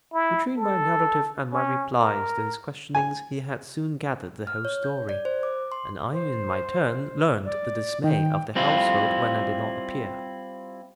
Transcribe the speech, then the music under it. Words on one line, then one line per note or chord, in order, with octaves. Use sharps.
Between my narrative and my replies to his questionings he had soon gathered the whole story, and I in my turn learned the dismay of the household when I did not appear.
E4
A4
C#4
A#4
G#5
F6
C#5
G6
D5
C5
D6
C6
C5
D5
D#3 G5
G3 C4 E4 F4